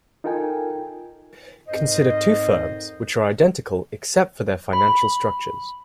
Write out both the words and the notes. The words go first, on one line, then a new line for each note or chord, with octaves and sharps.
Consider two firms which are identical except for their financial structures.
D#4 F4 A4 A#4 G5 G#5
F2 G#2 A#4 C5 D#5
B5